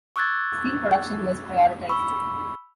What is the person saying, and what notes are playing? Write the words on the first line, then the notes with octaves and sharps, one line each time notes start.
Steel production was prioritized.
C#6 D6 E6 F#6 G#6 A6
B5 C#6 E6